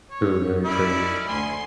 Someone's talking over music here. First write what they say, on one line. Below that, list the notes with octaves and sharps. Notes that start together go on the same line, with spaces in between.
True, very true.
C#5
C#4 D#4 E4 D5
D2 G#5 C6